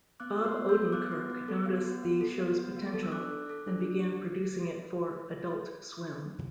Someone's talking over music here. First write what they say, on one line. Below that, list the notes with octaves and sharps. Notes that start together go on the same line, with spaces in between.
Bob Odenkirk noticed the show's potential, and began producing it for Adult Swim.
B3 D6 F#6
F#4
C6 E6
B3
E6 G6
A4
B3 D6 F#6
F#4
B3
A4
B3
F#4
B3
A4
B3
F#4
B3
A4
E6
D4 D6 F#6
A4
A4
D4
D4